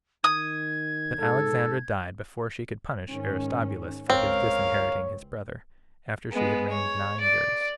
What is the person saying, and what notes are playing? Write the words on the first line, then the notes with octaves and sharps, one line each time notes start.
But Alexandra died before she could punish Aristobulus for his disinheriting his brother, after she had reigned nine years.
D#3 D#6 G#6
G#2 A4
G#2 D#3 C#4
C#2 C4 A#4 C#5 F5
G#3 B3
C#5
D5